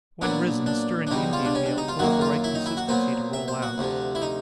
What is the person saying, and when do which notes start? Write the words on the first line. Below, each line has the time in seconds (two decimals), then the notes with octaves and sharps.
When risen, stir in Indian meal till of the right consistency to roll out.
0.22 A#2 F#3 B3 D4
0.66 D4
1.07 D4
1.10 C#2 B2 G3 D#4
1.33 F4
1.45 D4
1.55 C#4
1.66 D4
1.78 D#4
1.88 F4
1.99 F#2 D#3 F#3 A#3 F#4
2.21 F4
2.44 E4
2.55 D#4
2.66 E4
2.77 F#4
2.88 A#2 F#3 B3 C5
3.33 E5
3.48 C5
3.62 F#4
3.78 D2 C3 F3
4.15 E4
4.22 D#4